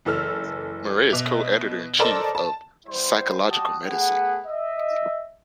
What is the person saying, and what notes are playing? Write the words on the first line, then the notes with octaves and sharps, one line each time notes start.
Murray is co-editor-in-chief of "Psychological Medicine".
F#1 E3 A4 E6 F6
B2 E5 F7
A4 A#4 C5 D5 D#5 A5
A5
G3 B3 E4 C5
G3 F#4 G4 F#5 A5 D#6
A3 B3 G#4 F#5
D#5 E5